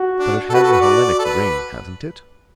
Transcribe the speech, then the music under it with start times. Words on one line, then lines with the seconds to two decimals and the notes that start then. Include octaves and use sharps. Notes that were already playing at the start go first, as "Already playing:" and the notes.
But it has a Hellenic ring, hasn't it?
Already playing: F#4
0.19 D4
0.50 A4
0.54 F#4 B4
0.63 A4
0.72 B4
0.81 D5
1.19 A4
1.25 B4